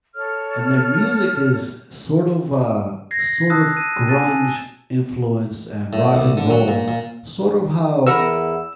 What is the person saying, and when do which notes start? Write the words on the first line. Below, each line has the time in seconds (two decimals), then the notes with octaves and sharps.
and their music is sort of, uh sort of grunge influenced, and rock and roll, sort of how,
0.15 A4 C#5 F6
3.11 G#6 A#6 C7
3.50 A5 D#6 E6 F#6
3.77 D#7
4.08 G#5 A5 A6 D#7
5.93 A2
6.15 C2
6.37 D3
6.50 F#3
6.68 A#2
6.88 A#2
8.07 E2 E3 A#4 F#5 E6